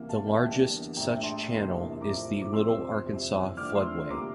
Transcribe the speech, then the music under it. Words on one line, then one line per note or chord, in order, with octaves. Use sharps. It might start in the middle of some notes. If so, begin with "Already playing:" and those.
The largest such channel is the Little Arkansas Floodway.
Already playing: D2 C3 E3 A#3
F5 A5
E5 G5
E2 D3 G3 A#3 D4
A#1 A2 E3 A3 D4 G5 A#5
A5 C6
F1 E2 E3 A#3 D4
A#1 A2 F3 A3 A#5 D6
D6
F2 C3 F3 C4 C6 E6
F2 C3 E3 G3 C4
F2 D3 F3 A3 D4 D6 F6
C6 E6
C3 E3 G3 A#3 A#5 D6